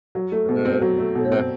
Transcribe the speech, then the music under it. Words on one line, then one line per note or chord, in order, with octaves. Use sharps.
Uh, yeah.
F#3
A3
B2
C4
F#3
A3
B2
C4